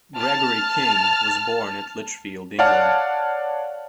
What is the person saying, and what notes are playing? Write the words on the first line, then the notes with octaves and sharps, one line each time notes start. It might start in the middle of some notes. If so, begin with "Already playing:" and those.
Gregory King was born at Lichfield, England.
A5 F6
C#5 D5 F5 F#5 A5 F6